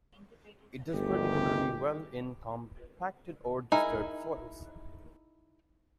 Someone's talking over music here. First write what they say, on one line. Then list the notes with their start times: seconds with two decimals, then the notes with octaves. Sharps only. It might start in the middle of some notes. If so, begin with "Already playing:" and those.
It does particularly well in compacted or disturbed soils.
0.93 G1 D2 D#3 G#3 G4
3.72 D#4 E4 G#4 A#4